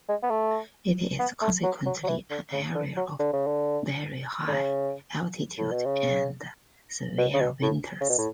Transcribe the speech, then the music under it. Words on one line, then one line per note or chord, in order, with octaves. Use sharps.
It is consequently an area of very high altitude and severe winters.
G#3
B3
A3
B3
A3
F#3
F#3
F#3
E3
D3
C#3
D3
F#3
D3
C#3
D3
D3
C#3
A2
B2
C#3
B2
C#3
B2
A2
C#3
B2
A2